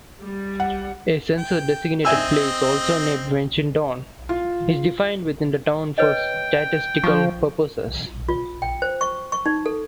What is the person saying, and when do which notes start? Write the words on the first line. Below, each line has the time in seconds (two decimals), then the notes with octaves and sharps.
A census-designated place, also named Winchendon, is defined within the town for statistical purposes.
0.23 G3
0.60 F#5
1.38 G5
2.05 C4 D#5 E5 G#5 E6
4.29 F4
5.98 B4 C#5 D#5 G5
7.04 F3 C#6
8.29 F4
8.62 G5
8.82 C5
9.01 C#6
9.32 C#6
9.46 D#4
9.66 A4